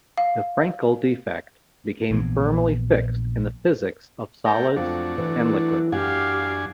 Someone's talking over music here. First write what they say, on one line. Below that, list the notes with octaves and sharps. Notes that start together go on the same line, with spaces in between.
The Frenkel defect became firmly fixed in the physics of solids and liquids.
F5
A#1 E3 A#3 B3
A3 A#4 G5
F2 F#3 A3 D4
E3
F#2 D4 G4 F5 F#5 G#5